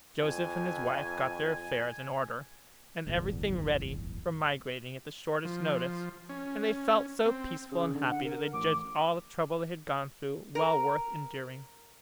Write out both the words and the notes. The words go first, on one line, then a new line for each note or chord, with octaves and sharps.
Joseph and his wife got their affairs in order, and everything ready for migrating at the shortest notice; and they felt so peaceful and happy that they judged all the trouble they had gone through well worth enduring.
F2 G#5
D1 G1 E2
F3
C#4
C4
C#3
D3
F#5
A#4
A1 D6
A#4